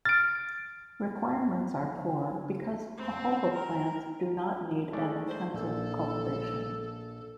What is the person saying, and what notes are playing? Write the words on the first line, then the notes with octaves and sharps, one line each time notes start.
Requirements are poor because jojoba plants do not need an intensive cultivation.
F6 A6 D7
C4
A#4
G#3 A3 D5
C5
A#1 A4